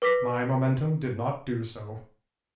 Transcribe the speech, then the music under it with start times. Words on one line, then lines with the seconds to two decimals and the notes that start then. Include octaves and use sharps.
My momentum did not do so.
0.02 B4 D6 A#6 B6